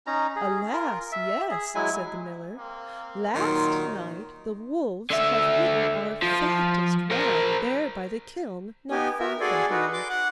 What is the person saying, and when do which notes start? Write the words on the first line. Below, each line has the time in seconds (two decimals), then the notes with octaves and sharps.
'Alas! yes,' said the miller, 'last night the wolves have eaten our fattest ram there by the kiln not far from here.'
0.07 C#4 D#4 A#5
0.36 G#4
0.73 F4 A#4
1.12 E5
1.51 G#4
1.75 F#3 G#3 E4 G#5
2.58 A#3 C4
3.35 A#2 D#3 F#3 D#4 C6
5.10 D3 E5
6.22 F3
7.11 A#4 C5
8.91 B3 D#4 G4 G#5
9.19 B3 A#4 E5
9.41 F#4 G#4 A4 D5 G#5 C6
9.71 D#4 F#4 B4
9.93 C6 D6
10.10 F#5 F#6